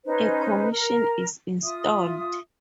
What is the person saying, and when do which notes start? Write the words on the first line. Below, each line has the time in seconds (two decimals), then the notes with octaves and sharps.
A commission is installed.
0.05 C#4 D#4 B4 C5
0.71 A#4 A#5
1.63 F4 E5 D#6